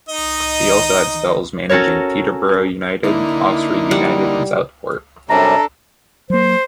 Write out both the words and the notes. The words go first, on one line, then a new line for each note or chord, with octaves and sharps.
He has also had spells managing Peterborough United, Oxford United and Southport.
D#4 D#5
C#4 F#4 A4 A#4 C#5
D3 A#3 D#4 E4
G3 F#5
F#2 C3 G3 D4 A4 A#5
F#3 A#3 C5